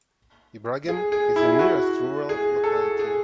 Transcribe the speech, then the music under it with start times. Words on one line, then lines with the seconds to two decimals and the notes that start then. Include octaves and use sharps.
Ibragim is the nearest rural locality.
0.88 G#4
1.12 G#4
1.36 E4
1.59 F#4
2.29 G#4
2.64 A4
2.99 G#4